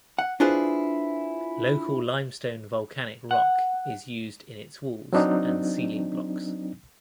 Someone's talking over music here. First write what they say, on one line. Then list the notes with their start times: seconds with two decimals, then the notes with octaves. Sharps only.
Local limestone volcanic rock is used in its walls and ceiling blocks.
0.19 F#5
0.40 D4 E4 F4 G#4 B4 C5
3.31 F#5
5.13 F#3 C4 D4 D#4